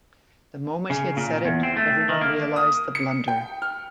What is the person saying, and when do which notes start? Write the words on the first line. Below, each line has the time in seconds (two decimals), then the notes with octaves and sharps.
The moment he had said it every one realized the blunder.
0.90 C#3
1.17 A#2
1.44 E2
1.63 C4
1.77 A3
2.09 D#3
2.21 A#3
2.56 D#6
2.95 C#7
3.28 G5
3.62 F6